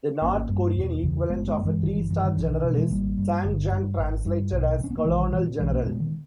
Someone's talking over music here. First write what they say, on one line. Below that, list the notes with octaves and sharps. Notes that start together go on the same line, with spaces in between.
The North Korean equivalent of a three-star general is "sangjang", translated as "colonel general".
G#1 A#3 C#4
G2
E1
E2 C#3
G1 G#3 B3
G#3 B3
G2 A#3
E3 G#3
G1 D#3 G3
E3
G2 E3
D#3 G3
B1 E3
D#3
B2 E3
A#3
E3 G#3
G#1 G3 A#3
G2
G1
G2
G#1
G2
B1
B2
C#4
B3
A#3
A#1 E3 G#3
D#3 G3
A#2 E3 G#3
B1 E3 G#3
A#3 C#4
A#2 G#3 B3
D#3